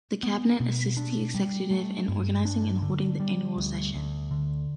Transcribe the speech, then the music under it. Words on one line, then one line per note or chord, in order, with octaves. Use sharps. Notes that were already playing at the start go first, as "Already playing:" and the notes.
The Cabinet assists the Executive in organizing and holding the Annual Session.
B3
B2
D4
G3
A3
G2
D4
D3
G3
D2
D2
D3